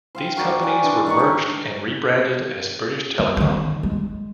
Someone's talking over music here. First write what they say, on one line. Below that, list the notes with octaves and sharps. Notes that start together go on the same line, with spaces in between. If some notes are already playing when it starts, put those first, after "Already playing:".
These companies were merged and rebranded as British Telecom.
C5 F5 G5
F#4 A#4 C#5 D5
G#5
E3 D4
D#3 D#4 C#5 C#6
D4 G4 D5
E3
D#3 D#4
G#3